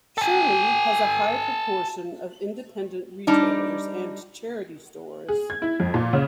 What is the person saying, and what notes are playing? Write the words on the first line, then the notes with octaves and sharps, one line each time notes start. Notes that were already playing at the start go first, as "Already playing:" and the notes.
Shirley has a high proportion of independent retailers and charity stores.
A4 G#5
G3 D4 D#4
G#4
G#6
E4
F2
A#2
C#3